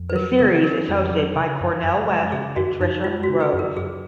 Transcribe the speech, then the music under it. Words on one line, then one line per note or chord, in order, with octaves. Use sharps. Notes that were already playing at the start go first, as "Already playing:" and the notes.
The series is hosted by Cornel West and Tricia Rose.
Already playing: F2
B4
F#3 A#4
C#3 A#4
C#4 A#4
F2
F#3
C#3
F#2
F#2
G#3
C#3 G#4
F#2 F#4
F#2 D#4
G#3 F4
F#4
C#3
B4
F#2
A#4
F#2 G#4